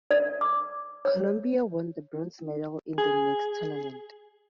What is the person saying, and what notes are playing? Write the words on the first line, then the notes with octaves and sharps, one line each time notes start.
Colombia won the bronze medal in the mixed tournament.
D5
D6
C#5
G#4